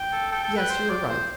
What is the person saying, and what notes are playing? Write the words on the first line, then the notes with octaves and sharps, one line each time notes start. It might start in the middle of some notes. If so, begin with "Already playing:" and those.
Yes; you are right.
Already playing: G5
A4
A4 G5
A4
B4
C5
D5
C5